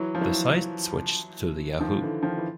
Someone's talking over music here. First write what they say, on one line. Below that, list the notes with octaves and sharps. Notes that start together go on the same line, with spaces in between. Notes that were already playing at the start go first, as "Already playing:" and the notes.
The site switched to the Yahoo!
Already playing: E3 F#3
F3
E3 F#3
D#3 F3
D3 E3
D#3 F3
E3